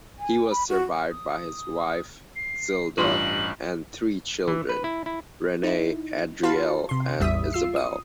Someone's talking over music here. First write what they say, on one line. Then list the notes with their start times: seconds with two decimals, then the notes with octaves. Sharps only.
He was survived by his wife, Zilda, and three children: Rene, Adrielle and Isabel.
0.19 G#5
0.51 B5
0.69 F#4
1.10 D#6
2.36 C7
2.98 A1 G2 F4 C6 C#6 F#7
4.48 E3
4.69 B4
4.84 E4
5.06 E4
5.64 D#4 E4
6.43 F4 F#4 B4 F5 A5 C6
6.89 C3 C6
7.20 A1 E2 G3 E5 D#6 B6
7.53 F4 E6 C7
7.76 D#6